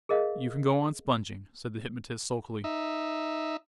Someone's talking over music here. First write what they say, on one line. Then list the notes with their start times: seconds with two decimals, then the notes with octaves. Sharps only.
"You can go on sponging," said the hypnotist sulkily.
0.09 G#4 A#4 D#5 F5
2.64 D#4 E5